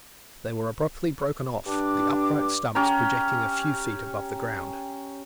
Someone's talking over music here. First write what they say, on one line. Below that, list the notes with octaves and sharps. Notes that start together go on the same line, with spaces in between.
They were abruptly broken off, the upright stumps projecting a few feet above the ground.
G2 D4 D6
C#4 G4 G5 A#5